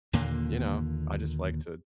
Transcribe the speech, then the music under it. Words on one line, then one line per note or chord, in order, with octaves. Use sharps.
you know, I just like to
D#2 A#2 D3 A#3